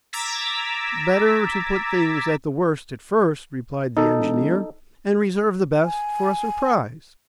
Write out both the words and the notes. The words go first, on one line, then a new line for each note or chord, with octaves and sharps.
"Better to put things at the worst at first," replied the engineer, "and reserve the best for a surprise."
A#5 D6 E6 G#6 A6 B6
D#3 D#4 A4
E1
G#5